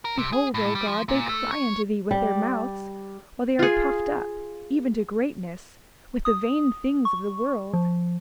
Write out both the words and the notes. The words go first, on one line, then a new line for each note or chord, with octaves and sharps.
Behold, O God, they cry unto thee with their mouths, while they are puffed up, even to greatness, with the vain things of the world.
A#4
C3
G#4
A2
G3
F3
A#2
A3
C#5
G3
F4 G#4
D#6
C#6
F3